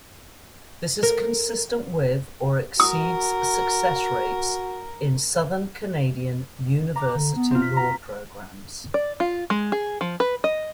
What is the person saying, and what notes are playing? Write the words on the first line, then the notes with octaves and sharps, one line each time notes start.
This is consistent with or exceeds success rates in southern Canadian university law programs.
A#4
F#4 A#4 D#6
A#5 D6
D3
B3
C4 F4
B6
A#5
D5
F4
G#3
G#4
F3
B4
D#5